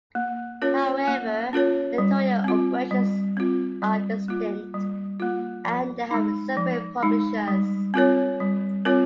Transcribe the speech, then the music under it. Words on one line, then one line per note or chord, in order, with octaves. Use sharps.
However, their editorial operations are distinct and they have separate publishers.
A#3
C#4 F4 A#4 C#5
A#3
C#4 F4 A#4 C#5
G3
C4 F4
G3
C4 F4
G3
A#3 F4
G3
A#3 F4
F3
G#3 D#4
F3
G#3 D#4
G3
C4 F4 A#4 C#5
G3
C4 F4 A#4 C#5